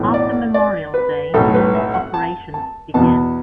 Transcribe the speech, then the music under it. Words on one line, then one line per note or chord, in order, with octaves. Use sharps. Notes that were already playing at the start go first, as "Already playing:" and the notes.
After Memorial Day, normal operations begin.
Already playing: B1 A2 E3 B3
D5
D5
B4
B1 A2 A3 A4
B4
E5
F#5
A5
A5
E2 B2 B3 A5